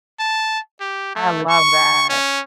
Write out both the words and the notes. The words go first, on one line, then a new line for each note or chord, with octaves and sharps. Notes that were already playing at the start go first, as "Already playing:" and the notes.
I love that.
A5
G4
A3
C#6
C#4